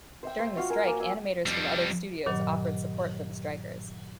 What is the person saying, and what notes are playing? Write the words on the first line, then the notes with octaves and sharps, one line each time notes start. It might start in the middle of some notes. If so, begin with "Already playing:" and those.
During the strike, animators from other studios offered support for the strikers.
C5 E5 G5
C5
F4 F#4 F5 C#6
A#4 G#5
A#3
F5 G#5 E6
F2 G3
G2 A#2 D#3 F#3